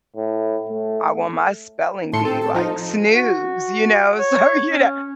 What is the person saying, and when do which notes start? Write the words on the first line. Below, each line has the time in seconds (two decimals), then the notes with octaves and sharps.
I won my spelling bee," like, snooze. You know? So, you kno
0.17 A2
0.69 A3
2.13 A2 A5 C6 C#7
2.25 C4 A4
2.42 A5
2.54 F3 D#4 F4
3.11 F#4
4.19 C#5
4.66 C#4